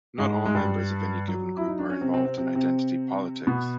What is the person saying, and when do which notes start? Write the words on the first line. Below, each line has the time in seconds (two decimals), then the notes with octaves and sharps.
Not all members of any given group are involved in identity politics.
0.18 G#2 G#3
0.46 G#3
0.55 G2 G3
1.28 F#3
1.57 E4
1.68 D#4
1.79 D4
1.90 C#4
2.01 C3 C4
2.14 C3 C4
2.25 C3 C4
2.37 C3 C4
2.55 C3 C4
3.47 B2 B3